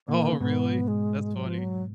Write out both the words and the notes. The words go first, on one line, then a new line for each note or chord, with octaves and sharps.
Oh, really? That's funny.
A#2 A#3
D#3
C#3
G#2 B2 B3
G#3
F#3
F3
F#3